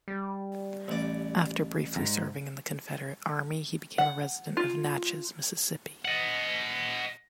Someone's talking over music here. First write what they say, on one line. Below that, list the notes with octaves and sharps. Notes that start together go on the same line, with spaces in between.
After briefly serving in the Confederate Army, he became a resident of Natchez, Mississippi.
G3
A1 D5
F2 G#2
F#5
F4
D#5 F#5